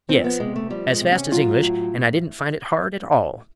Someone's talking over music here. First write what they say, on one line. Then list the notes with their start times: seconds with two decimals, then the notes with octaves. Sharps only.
"Yes, as fast as English--and I didn't find it hard at all."
0.09 F3 C4
0.24 B3
0.40 C3 G#3
0.56 A3
0.70 F3 G3
0.91 G#3
1.01 C3
1.12 C#4
1.31 F#3 F4
1.62 A2